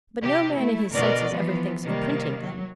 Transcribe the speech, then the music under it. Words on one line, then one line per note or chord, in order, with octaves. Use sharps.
But no man in his senses ever thinks of printing them.
C3 G4
A3 E4
B2 D3 A#4 D5 D#5
E3 F3 B3
C3 D#3 G3 A#3
F#3